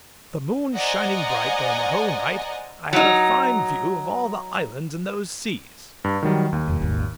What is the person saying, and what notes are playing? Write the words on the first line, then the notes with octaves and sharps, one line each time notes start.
The moon shining bright during the whole night, I had a fine view of all the islands in those seas.
C5 D5 D#5 F#5 G#5 A#5
F#3 D#4
G2
D#3 F#3 G3
D#2 D#4
E1 B1
D#1 G#1